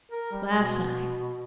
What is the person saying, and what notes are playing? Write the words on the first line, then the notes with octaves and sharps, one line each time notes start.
'Last night.
A#4
G3
B2